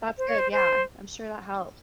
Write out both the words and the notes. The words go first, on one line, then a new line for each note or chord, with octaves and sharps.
that's good, yeah, I'm sure that helps.
C5
C#5
C5
C5